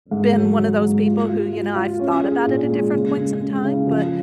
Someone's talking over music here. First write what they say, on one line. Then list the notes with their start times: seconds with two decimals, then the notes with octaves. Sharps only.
been one of those people who, you know, I've thought about it at different points in time, but
0.11 G#2
0.35 F#3
0.59 F#3
0.82 G#2
1.06 F4
1.29 F4
1.52 F4
1.76 F4
1.99 C#4
2.23 G#4
2.47 A#2
2.70 G#3
2.94 C#3
3.17 G#3
3.41 G#3
3.64 C#3
3.87 F3